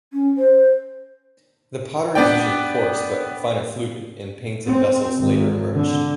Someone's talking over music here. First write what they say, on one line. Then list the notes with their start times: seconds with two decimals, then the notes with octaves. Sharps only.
The pottery is usually coarse but finer fluted and painted vessels later emerged.
0.13 C#4
0.38 C5
2.15 B3 D4 D5 G5
4.65 C4
5.19 G#1
5.74 D3